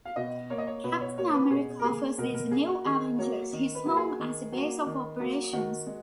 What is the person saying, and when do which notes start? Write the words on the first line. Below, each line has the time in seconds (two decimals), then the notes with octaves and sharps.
Captain America offers these "new Avengers" his home as a base of operations.
0.05 F5
0.16 B2 D#5
0.50 A#3 C#5
0.58 D#5
0.67 C#5
0.84 B2 B4
1.01 C#5
1.17 A#3 C#5
1.34 B4
1.51 B2 G#4
1.80 A#4
1.84 A#3 G#4
2.18 B2 A#4
2.35 A#4
2.51 A#3 G#4
2.68 F#4
2.85 D#3 G#4
3.19 F#3 A#3 C#5
3.53 D#3
3.75 B4
3.86 F#3 A#3
3.97 G#4
4.20 D#3
4.52 F#3 A#3
4.87 D#3
5.20 F#3 A#3
5.53 D#3 F#4
5.87 G#3